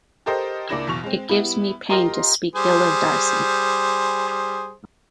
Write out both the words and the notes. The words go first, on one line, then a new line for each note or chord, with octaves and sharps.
It gives me pain to speak ill of Darcy.
G4 A4 A#4 C5 D#5 G5
C#2 A#3 D4 E4 A#6 E7
F#1 E2 B2 C#6 F7
G#3 C4
G3 B3 E4
F4 G4 A#4 D#5 A#5 C6
G3 G#4 C5